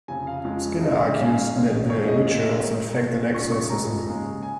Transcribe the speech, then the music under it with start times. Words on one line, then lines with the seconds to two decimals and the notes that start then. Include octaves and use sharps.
Skinner argues that the ritual is in fact an exorcism.
0.08 F1 F2 C#3 G#5
0.27 F5
0.44 F2 F3 G#3 C#4
0.80 C#2 C#3 G#3 F5
1.17 G#2 G#3 C#4 F5
1.25 G#5
1.33 F5
1.54 G#2 G#3 C#4
1.89 F2 D#3 C#4 C#5
2.08 D#5
2.26 A#1 A#2 F3 A#3
2.62 A#1 G#2 D#3
2.97 A#1 A#2 F3
3.34 G#2 F3 A#3 C#4 C#6
3.52 C#6
3.70 F1 F2 F3 G#3 A#5
4.06 D#2 C#3 G#3
4.43 G#5